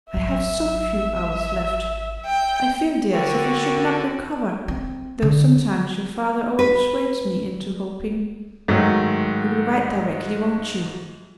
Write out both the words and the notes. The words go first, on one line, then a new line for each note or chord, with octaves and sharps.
I have so few hours left--I feel, dear, as if I should not recover, though sometimes your father over-persuades me into hoping; you will write directly, won't you?
G#1 F#3 E5
G5
D3 F#4 A#4 G5
C4
D3
B4
G#2 D#3 F#3 A3